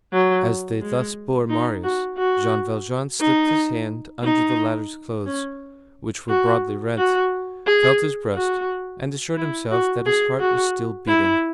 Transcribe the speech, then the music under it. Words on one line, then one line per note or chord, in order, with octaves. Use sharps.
As they thus bore Marius, Jean Valjean slipped his hand under the latter's clothes, which were broadly rent, felt his breast, and assured himself that his heart was still beating.
F#3
G#3
D#4
F#4
F#4
D#4
D#4
C#4
F#4
F#4
G#4
F#4
E4
F#4
G#4
F#4
E4